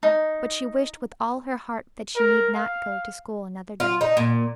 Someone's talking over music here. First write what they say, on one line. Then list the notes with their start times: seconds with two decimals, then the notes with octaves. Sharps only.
But she wished with all her heart that she need not go to school another day.
0.03 D#4
2.16 A#4
2.56 F5
3.80 F4
4.01 D#4
4.17 A#2